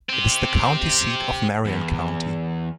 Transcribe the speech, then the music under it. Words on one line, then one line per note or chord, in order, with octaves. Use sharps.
It is the county seat of Marion County.
C4 G4
E2